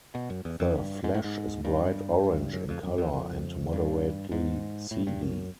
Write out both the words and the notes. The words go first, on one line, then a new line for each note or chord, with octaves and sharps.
The flesh is bright orange in color and moderately seedy.
B2
F#2
E2
F2
G2
G#2
A2
G#2
G2
G2
F#2
F2
F#2
F2
F2
G2
G#2
A2
G2
F#2